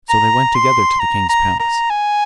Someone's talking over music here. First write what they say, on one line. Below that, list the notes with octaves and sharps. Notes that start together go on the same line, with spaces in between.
So they went together to the king's palace.
A#5
C6
A#5
A#5
A#5
G#5